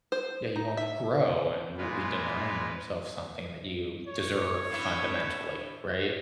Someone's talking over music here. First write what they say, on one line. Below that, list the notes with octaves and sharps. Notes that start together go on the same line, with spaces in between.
Yeah, you won't grow, and you will be denying yourself something that you deserve, fundamentally, right?
C5
D#4
E5
A#2 G#3 F4 B4
C#5
A2 D3 E4